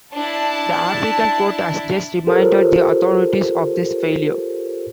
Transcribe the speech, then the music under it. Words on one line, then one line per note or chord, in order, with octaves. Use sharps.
The African Court has just reminded the authorities of this failure.
D4 E4 A5
F4 G4 A4 A#4 C5 C#5